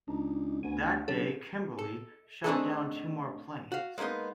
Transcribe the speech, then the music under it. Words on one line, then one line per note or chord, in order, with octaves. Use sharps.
That day "Kimberly" shot down two more planes.
C#2 D4 D#4
D2 B3 G#5
C#3 F#3 D4 A4
A4
A3 C4 D4 D#4 G#4 A4
F#4 F5
G#3 A#3 B3 D#4 C6